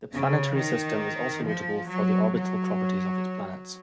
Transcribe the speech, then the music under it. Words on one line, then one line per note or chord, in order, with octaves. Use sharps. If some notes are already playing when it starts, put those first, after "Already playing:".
The planetary system is also notable for the orbital properties of its planets.
C#3
D#3
F3
F#3
F#3